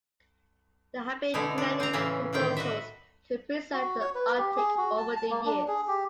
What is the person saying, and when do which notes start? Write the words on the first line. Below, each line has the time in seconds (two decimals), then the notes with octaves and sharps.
There have been many proposals to preserve the Arctic over the years.
1.34 B2 D3 G#3 D#4 E4
1.58 D4
1.80 C4 A#5
1.93 A2 C#3 E3 C#4 E5
2.33 A2 D3 D#3 G5
2.57 F#4 B4 D#5 E5
3.73 F#4
4.00 C#5
4.15 B4
4.38 G4
4.56 G#4
4.78 F#4
4.98 A5
5.16 A5
5.30 A#3
5.46 D4
5.68 G#4
5.88 G4